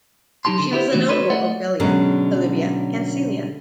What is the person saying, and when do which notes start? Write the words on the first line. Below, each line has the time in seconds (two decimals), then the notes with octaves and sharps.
She was a notable Ophelia, Olivia and Celia.
0.45 F#3 D#4 G4 A5 C6
0.59 D3
0.72 B3 E4 G4 C5
0.93 E3 F#3 A3 D4 D#4 F#4
1.08 F#4 A4 B4 C#5 C6
1.30 A3 D5 D#5 F#5
1.80 B2 D3 F#3 G#3 C#4 G#4